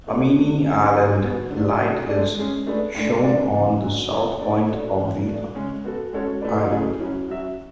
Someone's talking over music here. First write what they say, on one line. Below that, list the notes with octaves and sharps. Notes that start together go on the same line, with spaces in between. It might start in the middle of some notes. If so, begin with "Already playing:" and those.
Amini Island Light is shown on the south point of the island.
A3 E4 A4 D5
C#3 F#3 A3 D4
A3 C#4 G#4
D3 F#3 B3
B2 F#3 B3
D3 F#3 A3 D4
B2 A3 D4 F#4
G#3 D4 A4 D5
G#3 C#4 G#4
A3 D4 G#4 B4
A2 G#3 D4 A4
C#3 G#3 D4 G#4 D5
C#3 E3 B3
D3 A3 D4 F#4
A3 D4 A4 C#5 E5
A3 D4 G#4 D5
A3 D4 F#4 A4
E3 G#3 C#4
B2 A3 D4
C#3 G#3 C#4
B3 F#4 A4
G#3 C#4 F#4 A4 C#5
B2 A3 E4 B4 D5
C#3 F#3 A3 E4 G#4
F#3 C#4 E4
F#3 C#4 F#4 C#5 E5